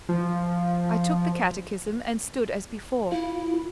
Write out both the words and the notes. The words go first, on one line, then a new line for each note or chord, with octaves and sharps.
I took the catechism, and stood as before.
F3
E4 F4